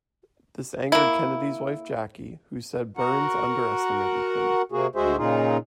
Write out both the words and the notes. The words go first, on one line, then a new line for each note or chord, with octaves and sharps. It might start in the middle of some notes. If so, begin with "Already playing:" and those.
This angered Kennedy's wife Jackie, who said Burns "underestimated" him.
A#3 E4
F#4 A#4 F#5
C3 A#3 F#4 G#4
D2 G#3 F#4 G#4 C5 E5
A#2 C#3 D#4 F4 G#4